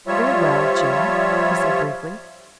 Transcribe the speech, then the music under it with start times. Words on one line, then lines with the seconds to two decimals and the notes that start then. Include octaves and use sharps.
"Very well, Jane," he said, briefly.
0.07 F3 G3 F4 C#5 E5